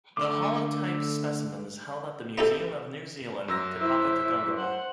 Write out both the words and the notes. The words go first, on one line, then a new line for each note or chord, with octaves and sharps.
The holotype specimen is held at the Museum of New Zealand Te Papa Tongarewa.
D3 A3 D6
B3 D#4 G4 A4
F#2 E6 A#6
E4 C5 E5
C5 F#5